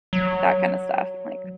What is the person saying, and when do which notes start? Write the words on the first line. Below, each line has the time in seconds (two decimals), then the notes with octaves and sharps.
that kinda stuff, like
0.13 F#3